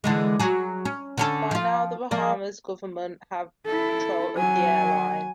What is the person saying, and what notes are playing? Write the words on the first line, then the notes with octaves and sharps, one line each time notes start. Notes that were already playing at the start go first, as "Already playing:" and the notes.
By now the Bahamas Government had control of the Airline.
D3 E3 G#3
F#3 G#4
C#4
D3 C#4 A4
F3 F4
F3 A#3 D5
E4 A4
F#3 G#5